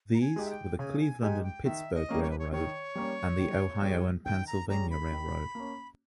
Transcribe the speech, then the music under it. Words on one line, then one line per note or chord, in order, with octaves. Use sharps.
These were the Cleveland and Pittsburgh Railroad and the Ohio and Pennsylvania Railroad.
A#5
G#5
G#3 D#4 G4
E5
G5
C#3 G#5
G#5
G#3 D#4 G4 G#5
G5
D#3 E5
D#5
G3 A#3 C#4
C#5
B4
C#5
D#3 C#5
G3 A#3 C#4
D#3
G3 C#4 G#4
D#3 G5
A#5
G3 C#4 G#4 A#5
B5
D#3
A#3 C#4